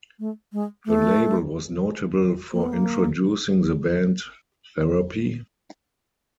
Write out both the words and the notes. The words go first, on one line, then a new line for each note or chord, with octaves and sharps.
The label was notable for introducing the band Therapy?
A3
G#3
A3
A#3
B3
A#3